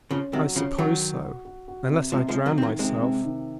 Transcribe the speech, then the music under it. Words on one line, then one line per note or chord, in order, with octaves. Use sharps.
"I suppose so;--unless I drown myself."
C#3 F3 C#4
C3 D#3 F#3
C#3 F3 C#4
D#3 F#3 F#4
F#4
F#4
F#4
F#4
C3
C3 F3 G#3
F3 G#3
C3
F#3 A#3
D#3 C4
F#3 A#3
C3 G#3 C4
C3
D#3